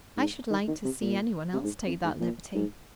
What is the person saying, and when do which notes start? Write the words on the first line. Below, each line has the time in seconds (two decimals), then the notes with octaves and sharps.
I should like to see anyone else take that liberty.
0.17 G#2
0.51 D#3
0.68 D#3
0.85 C3
1.02 A#2
1.53 C3
1.64 G#2
1.87 F2
2.04 G#2
2.21 A#2
2.55 G#2